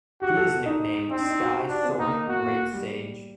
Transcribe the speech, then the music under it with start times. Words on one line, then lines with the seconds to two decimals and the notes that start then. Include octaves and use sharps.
He is nicknamed "Sky Soaring Great Sage".
0.22 F#4 G4
0.37 A4
0.52 A4
0.66 D#4
1.11 C4 D#4
1.20 D4
1.31 D#4
1.40 F#4
1.55 G4
1.69 D4 G4
1.84 C4
1.99 A#3 D#4
2.28 A#3 F#4
2.43 A#3
2.73 G3